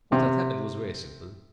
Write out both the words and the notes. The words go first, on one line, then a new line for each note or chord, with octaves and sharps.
What had happened was very simple.
C3